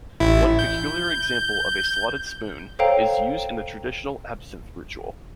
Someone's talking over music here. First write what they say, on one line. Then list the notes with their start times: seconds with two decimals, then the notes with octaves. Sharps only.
One peculiar example of a slotted spoon is used in the traditional absinthe ritual.
0.20 A1 E4
0.59 G6
2.79 A4 C5 C#5 F5 G5 A#5